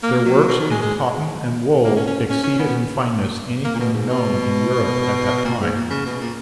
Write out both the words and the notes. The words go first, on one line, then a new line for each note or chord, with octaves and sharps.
Their works in cotton and wool exceeded in fineness anything known in Europe at that time.
A#3
F#3
B2
D#3
G#3
G#3
A#3
C#4
C#4
C#4
C#4
B3
A#3
A#2
B2
G#2
B2
A#2
G#2
A#2
C#3
B2
A#2